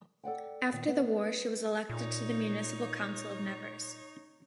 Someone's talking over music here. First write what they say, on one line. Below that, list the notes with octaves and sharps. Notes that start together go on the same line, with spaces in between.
After the war she was elected to the municipal council of Nevers.
A4 D5 F#5 G5
A#2 D#3
B3
A#2 D#4 C#5